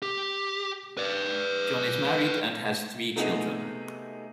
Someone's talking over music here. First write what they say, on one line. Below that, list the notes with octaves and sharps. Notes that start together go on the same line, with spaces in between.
John is married and has three children.
G4
B4 D5
C3 A3 B3 D#4 G#4